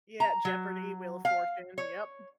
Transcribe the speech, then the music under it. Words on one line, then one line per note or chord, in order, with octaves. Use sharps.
Yeah, Jeopardy, Wheel of Fortune, yup.
A#5
F#3
F5
C#5